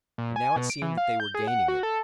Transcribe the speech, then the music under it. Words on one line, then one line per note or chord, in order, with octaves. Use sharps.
And now it seemed that they were gaining it.
A#2
G#5
B2
D7
E3
F5
G6
G#4
F#5
F#4
A4